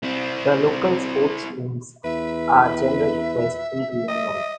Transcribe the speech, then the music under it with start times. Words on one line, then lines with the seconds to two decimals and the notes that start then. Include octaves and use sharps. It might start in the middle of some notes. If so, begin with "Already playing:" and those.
The local sports teams are generally dressed in green and white.
0.04 C4 E4
2.04 E2 B4 E5
4.08 D#5